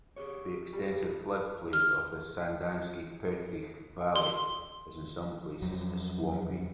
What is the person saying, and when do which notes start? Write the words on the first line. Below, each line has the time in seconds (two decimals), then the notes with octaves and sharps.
The extensive floodplain of the Sandanski–Petrich Valley is in some places swampy.
0.16 G4 G#4 C#5
0.73 G3
1.73 F6
4.16 C6
5.62 F2 F#3